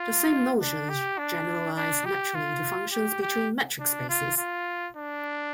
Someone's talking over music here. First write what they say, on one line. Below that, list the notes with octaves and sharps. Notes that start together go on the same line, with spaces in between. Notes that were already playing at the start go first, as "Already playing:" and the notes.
The same notions generalize naturally to functions between metric spaces.
Already playing: F4
D4
G4
D4
D4
G4
F4
G4
G4
D4
F4
F4
D4